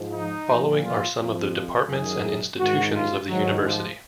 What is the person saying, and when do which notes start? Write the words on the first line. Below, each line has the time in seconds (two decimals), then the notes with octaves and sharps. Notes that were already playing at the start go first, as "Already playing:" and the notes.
Following are some of the Departments and institutions of the university.
Already playing: G#2 F3
0.13 D#4
0.48 A#2 F3
0.83 F4
1.18 F2 F3
1.88 F#2 D#3 G#4
2.59 G#2 D#3 F#4
2.93 F4
3.29 G#2 D#3 F#3
3.64 F3